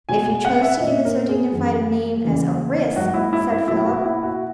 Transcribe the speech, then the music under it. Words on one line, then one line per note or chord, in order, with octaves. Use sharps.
'If you chose to give it so dignified a name as a risk,' said Philip.
B2 G#3 G#5
G#5
F#5
E5
A#2 A#3 D#5
A#4
G#4
F#2 E3 G#3
E2 C#3 E3 A#3
G#2 F#3 A#3 F#4
E4
E4
E4
B2 F#3 A#3 E4
F#4
E4
F#4